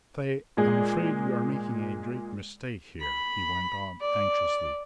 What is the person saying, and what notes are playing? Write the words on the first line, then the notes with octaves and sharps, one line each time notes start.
"Say, I'm afraid we are making a great mistake here," he went on anxiously.
A#2 G#3 G#4
B5
D5